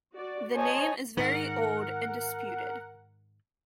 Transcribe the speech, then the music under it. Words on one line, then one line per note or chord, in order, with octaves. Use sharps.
The name is very old and disputed.
F#4 D5
C5 C#5 D#5 G#5 A5
G#2 D#3 A#4 F#5